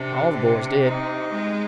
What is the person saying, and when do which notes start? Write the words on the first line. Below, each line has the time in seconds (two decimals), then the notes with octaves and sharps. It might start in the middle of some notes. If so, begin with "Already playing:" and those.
All the boys did.
Already playing: C3 D4
0.33 C3
0.83 D#4
1.31 G#3